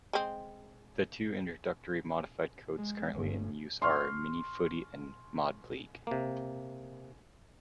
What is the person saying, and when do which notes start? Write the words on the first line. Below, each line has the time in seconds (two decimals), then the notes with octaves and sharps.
The two introductory modified codes currently in use are "mini footy" and "mod league".
0.13 G#3 C4
2.76 G#3
3.14 G1
3.82 C6 C#6 F6
6.07 C3 A#3